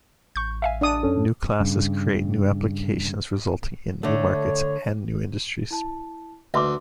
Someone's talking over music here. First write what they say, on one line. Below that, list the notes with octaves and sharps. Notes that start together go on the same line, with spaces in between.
New classes create new applications resulting in new markets and new industries.
A1 C#6 G6
E5 F5 G#5
D4 D5 D#6
F#2 C#4 A4
G2 C#3
D3 A3 C#5
E4 A5
D2 B4 E5 C6 D6